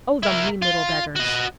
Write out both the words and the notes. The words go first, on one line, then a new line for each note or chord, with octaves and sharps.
"Oh, the mean little beggars!"
E4 A#4
F4
F#4 D#5